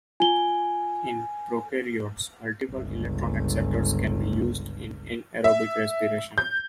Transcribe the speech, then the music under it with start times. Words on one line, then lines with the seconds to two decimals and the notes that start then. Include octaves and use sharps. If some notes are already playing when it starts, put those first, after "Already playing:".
In prokaryotes, multiple electron acceptors can be used in anaerobic respiration.
0.20 F4 G#5 G7
2.72 G1 C#2
5.44 E5
6.38 G6